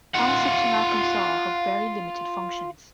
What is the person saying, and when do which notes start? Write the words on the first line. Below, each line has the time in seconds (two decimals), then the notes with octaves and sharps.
Townships in Arkansas have very limited functions.
0.14 F4 F#5